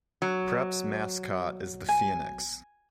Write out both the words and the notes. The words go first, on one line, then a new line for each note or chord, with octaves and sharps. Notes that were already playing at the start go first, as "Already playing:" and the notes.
Prep's mascot is the Phoenix.
F#3
G#5